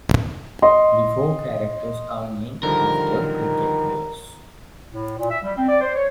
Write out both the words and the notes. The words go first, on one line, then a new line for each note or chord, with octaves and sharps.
The four characters are named after cricket players.
D#5 C6
D3 D#3 F3 G3 A#4
A2
A#2
E5
G3
C4
D5
C5
C#5